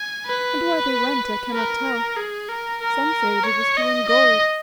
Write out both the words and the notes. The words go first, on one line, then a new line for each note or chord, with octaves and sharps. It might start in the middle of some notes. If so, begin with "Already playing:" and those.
And why they went I cannot tell: some say that it was to win gold.
Already playing: G#5
B4
A#4
G#4
A#4
A#4
C#5
D#5
D#5